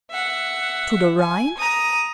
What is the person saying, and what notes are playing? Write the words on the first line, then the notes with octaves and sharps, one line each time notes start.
To the Rhine?
E5 F#5
G#5
A#5 D#6